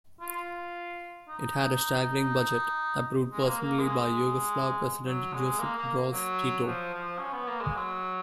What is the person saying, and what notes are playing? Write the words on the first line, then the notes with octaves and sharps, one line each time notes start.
It had a staggering budget approved personally by Yugoslav president Josip Broz Tito.
F4
D#4
G#3
A#3
A#3
G#3
F#3
G#3
A#3
A#3
F#3
F3
F3
C#4
B3
A#3
G#3
F#3